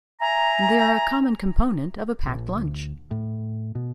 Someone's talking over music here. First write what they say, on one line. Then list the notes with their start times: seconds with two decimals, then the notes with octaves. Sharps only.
They are a common component of a packed lunch.
0.21 E5 G#5 A#5
2.27 A#1
2.56 D2
3.11 A2
3.75 B2